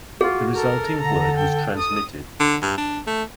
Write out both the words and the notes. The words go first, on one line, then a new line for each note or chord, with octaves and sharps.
The resulting word was transmitted.
F4 F#4 G#4
A4 A#4
D3 A#5
G5
D#6
D3
G2
D4
A3